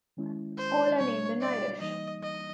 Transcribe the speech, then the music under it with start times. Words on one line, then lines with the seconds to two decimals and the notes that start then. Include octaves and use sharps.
All are named in Irish.
0.17 D#3 G#3 C#4 E4
0.58 C5
0.99 B2 G3 A#3 D4 C#5
1.41 D5
1.81 E3 G3 A#3 D#4 D#5
2.23 D#5